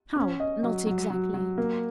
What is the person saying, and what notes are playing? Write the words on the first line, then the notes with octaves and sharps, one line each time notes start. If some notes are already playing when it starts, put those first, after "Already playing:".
"How, not exactly?"
C#4
D#5
F#3
F#3
F#3
F#3
A#3